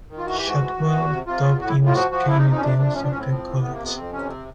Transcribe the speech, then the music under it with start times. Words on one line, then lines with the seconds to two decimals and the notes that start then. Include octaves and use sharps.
Shotwell taught in Skaneateles after college.
0.09 D#3
0.18 F4
0.25 E3 F#4
0.37 G4
0.43 G#2 F#4
0.60 E3
0.76 E3
0.93 E2
1.10 C3
1.26 C3 F4
1.43 E2
1.60 A2 F#4
1.69 E4
1.77 A2
1.86 F4
1.94 F3 F#4
2.11 F3 F#4
2.28 C3 E4
2.38 D#4
2.44 F2
2.50 D#4
2.57 C#4
2.60 C3 D4
2.78 F2 D4
2.94 A2 C#4
3.03 D4
3.11 A2 C#4
3.19 C4
3.29 F3
3.45 A2
3.62 C3 B3
3.73 A#3
3.79 F2
3.85 B3
3.95 F2 C4
4.12 C3 C#4
4.29 C4